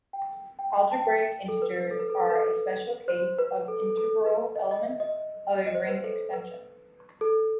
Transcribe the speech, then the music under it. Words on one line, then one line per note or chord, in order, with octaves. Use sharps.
Algebraic integers are a special case of integral elements of a ring extension.
G5
G5
G5
A5
G5
A4
B4
B4
A4
B4
A4
A4
B4
A4
B4
C5
B4
A4
A4
A4
B4
D#5
D#5
E5
D#5
D#5
C5
B4
A4
B4
A4